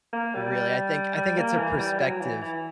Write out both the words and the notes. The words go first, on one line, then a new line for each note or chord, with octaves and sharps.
really. I think I think it's a perspective
A#3
G3
G3
A#3
E3
G3
F#3
E3
E3